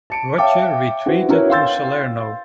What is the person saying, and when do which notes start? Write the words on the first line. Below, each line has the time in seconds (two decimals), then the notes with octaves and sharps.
Roger retreated to Salerno.
0.10 A5 C#7 D7
0.38 C#5 E5 F5 G5 A5 D6
1.06 E4 F#4 B4 C5
1.29 E4 F#4 A#4 B4 C#5
1.50 F5 G5 C6 E6 G6 A6